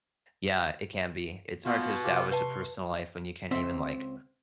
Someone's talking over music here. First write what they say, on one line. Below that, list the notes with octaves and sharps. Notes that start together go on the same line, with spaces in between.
Yeah, it can be. It's hard to establish a personal life when you can't even, like,
B2 B3 F4
C3 F4 G4
B4 F5 A5 C6 C#6
C#2 C4 E5